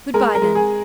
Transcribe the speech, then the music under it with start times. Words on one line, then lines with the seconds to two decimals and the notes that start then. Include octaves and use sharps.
"Good-bye, then."
0.14 G#3 A#4
0.35 A#4
0.42 G#3
0.55 G#4